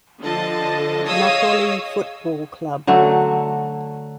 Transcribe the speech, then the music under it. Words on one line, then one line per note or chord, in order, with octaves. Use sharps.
Napoli football club.
D3 F3 D#5 A5
G#4 C#5 D#5 F5 D#6 E6
D3 F#3 A3 F#4